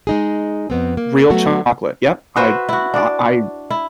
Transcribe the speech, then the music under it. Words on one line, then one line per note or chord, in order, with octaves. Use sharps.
real chocolate. Yep. I I I
G#3 D#4 G#4
F2 B3 C4
A#3
F#3 A3 B3 F#4
F#4 B4 C5 E5
E4 F#4
D4 D5
E4